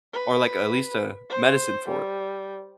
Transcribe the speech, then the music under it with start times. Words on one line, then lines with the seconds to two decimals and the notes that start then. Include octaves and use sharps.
Or, like, at least a medicine for it.
0.13 B4
1.30 C5
1.88 G3